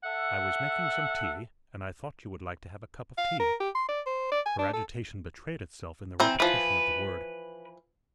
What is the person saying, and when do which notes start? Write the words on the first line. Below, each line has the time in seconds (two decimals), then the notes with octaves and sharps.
"I was making some tea, and I thought you would like to have a cup of tea." Her agitation betrayed itself in the repetition of the word.
0.03 A4 E5 F#5
3.18 F5
3.40 A#4
3.61 G4
3.75 C6
3.89 D5
4.06 C5
4.32 D5
4.46 G#5
4.59 D4
4.74 A4
6.20 E3 C4 A#5
6.40 E3 F3 B4